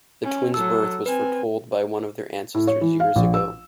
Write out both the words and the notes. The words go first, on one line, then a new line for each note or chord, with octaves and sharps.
The twins' birth was foretold by one of their ancestors years ago.
C#4
F#3 A4 E6
C4 B4 G#5
A2
C#5
E3
F5
A#1
E6